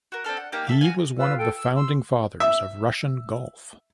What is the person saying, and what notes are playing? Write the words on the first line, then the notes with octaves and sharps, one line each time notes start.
He was one of the founding fathers of Russian Golf.
F#4 A#4
C4 D4 A4 F6
F#5
A#3 D#4 G4 G5
A4 E5 F5
F#4 G#4 F5 G#5
F4 B4 E6
A4 G5
E6
C6 E6
E5